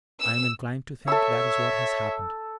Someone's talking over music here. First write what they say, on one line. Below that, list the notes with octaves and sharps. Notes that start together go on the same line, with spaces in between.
I am inclined to think that is what has happened.
E6
A4 C#5 E5 E6